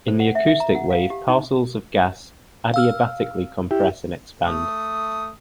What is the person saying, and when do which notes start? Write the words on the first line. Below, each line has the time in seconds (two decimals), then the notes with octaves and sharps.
In the acoustic wave, parcels of gas adiabatically compress and expand.
0.08 C5
0.20 F#5
0.35 E5
0.47 E5
0.60 A#5
0.75 F#5
0.90 F5
1.10 G4
1.28 D#4
2.74 F5 E6 F6
3.71 E4 G4
4.45 A3 D#6